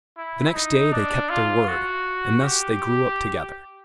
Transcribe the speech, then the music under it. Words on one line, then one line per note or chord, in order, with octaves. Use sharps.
The next day they kept their word, and thus they grew up together.
E4
D#4
D4
F4
F#4
G4